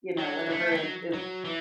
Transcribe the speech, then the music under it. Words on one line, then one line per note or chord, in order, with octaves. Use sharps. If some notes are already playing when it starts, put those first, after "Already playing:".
you know, whatever is is
F#3
A3
F#3
F#3
E3